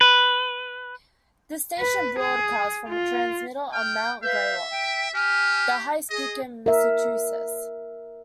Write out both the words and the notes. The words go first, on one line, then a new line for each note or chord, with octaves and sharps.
This station broadcasts from a transmitter on Mount Greylock, the highest peak in Massachusetts.
B4
B4
G#4
F4
G5 F6
B4 E5 F5 G6
G5
G4 G#5 F6
G#4 D#5
A#4 E5